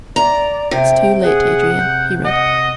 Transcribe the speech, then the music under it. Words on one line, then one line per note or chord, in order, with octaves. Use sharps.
"It's too late, Adrian," he read.
D5 A#5
C3 G5
G#4 F#5
G6
D#5 F#5